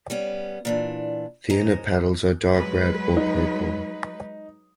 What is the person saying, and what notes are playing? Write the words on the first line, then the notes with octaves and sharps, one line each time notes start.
The inner petals are dark red or purple.
G3 B3 C#4
A#2 E3 D4
C#4 C5 D#5 A#5
F#3 G#3 B4
D#4